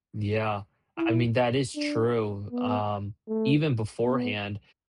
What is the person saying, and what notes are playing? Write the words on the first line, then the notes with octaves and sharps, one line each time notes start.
Yeah, I mean, that is true, um, even beforehand,
E4
D4
B3
A3
B3